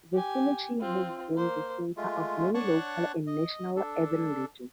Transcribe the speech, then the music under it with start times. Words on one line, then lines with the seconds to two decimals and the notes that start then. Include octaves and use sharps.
The cemetery has been the center of many local and national urban legends.
0.14 G4 G#5
0.80 C4 F4
1.34 A#3 C5
1.97 G#3 A3 F4
2.54 D4 C#5 F#5 A5 C#6 F#6
3.27 D#5
3.77 D4 A4